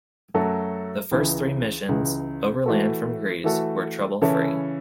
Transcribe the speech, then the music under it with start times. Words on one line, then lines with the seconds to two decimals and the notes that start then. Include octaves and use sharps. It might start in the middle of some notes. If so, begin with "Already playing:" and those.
The first three missions, overland from Greece, were trouble-free.
0.34 F#2 F#3 A3 F#4 A4
1.11 C#2 C#3 E3
1.89 C#2 C#3 E3
2.66 E3 A3 F#4 A4
3.44 E3 A3 F#4 A4
4.22 C#3 E3 C#4 E4 A4